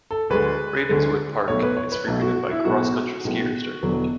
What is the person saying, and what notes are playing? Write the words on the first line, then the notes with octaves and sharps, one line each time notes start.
Ravenswood Park is frequented by cross-country skiers during the winter.
A4
D2 D3 G#3 B4
D2 D3 G#3
B1 B2 A3 C#5
B4
C#5
B4
B1 B2 A3 A4
F#4
F#4
E4
B1 A2 G#3 B3 F#4
B1 A2 G#3 B3
E1 E2 D3 F#3 B3